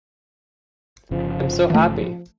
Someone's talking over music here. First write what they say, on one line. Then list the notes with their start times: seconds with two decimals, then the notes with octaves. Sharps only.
I’m so happy.
1.11 G1 C#3 F3
1.70 E3 A3